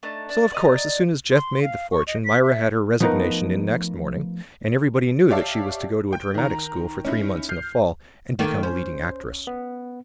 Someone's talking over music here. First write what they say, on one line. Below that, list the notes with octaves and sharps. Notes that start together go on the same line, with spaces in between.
So, of course, as soon as Jeff made the fortune, Myra had her resignation in next morning and everybody knew that she was to go to a dramatic school for three months in the fall and become a leading actress.
A3 D4 D#4
D4
D5 D#5 A#5
C6
F5
C#6
D#5
B6
E5
F3 A3 B3 D#4 A#4 B4
G4 C#5 D5 E5 F5 A5
G5
D#3 A#5
C#4 D#4 E4
F6 G6 C7
D#3 A3 A#3
C#4 C5
B3